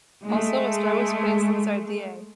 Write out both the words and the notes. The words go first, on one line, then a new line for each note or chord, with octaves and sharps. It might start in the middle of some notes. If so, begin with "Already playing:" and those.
Also, a star was placed inside the "A".
G#3 A3